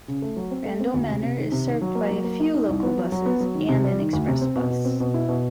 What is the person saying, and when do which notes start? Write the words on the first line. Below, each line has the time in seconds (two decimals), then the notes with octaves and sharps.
Randall Manor is served by a few local busess and an express bus.
0.08 C#3
0.22 A3
0.36 F#3
0.51 C4
0.66 A3
0.80 C4
0.94 D2
1.08 C3
1.23 C3
1.38 D#3
1.52 C3
1.66 D#3
1.81 F#3
1.95 A#3
2.11 F#3
2.24 A#3
2.40 D#4
2.54 D#4
2.69 C2
2.83 B3
2.97 F#3
3.12 F#3
3.26 B3
3.40 F#3
3.55 D#3
3.69 C3
3.84 G3
3.98 D#3
4.13 D2
4.28 C3
4.41 C4
4.56 B2
4.70 B2
4.85 C4
5.00 B2
5.14 E4
5.29 B2